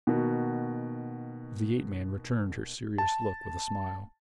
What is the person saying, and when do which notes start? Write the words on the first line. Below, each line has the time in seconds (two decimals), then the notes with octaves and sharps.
The ape-man returned her serious look with a smile.
0.07 B2 D#3 A#3 D#4 F#4
2.98 A5